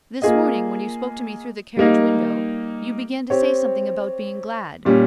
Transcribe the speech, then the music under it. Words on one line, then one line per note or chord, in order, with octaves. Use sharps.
This morning, when you spoke to me through the carriage window, you began to say something about being glad.
A#3 F4 G#4 D#5
G3 A#3 D#4
C4 G4 C#5
A#2 G3 C#4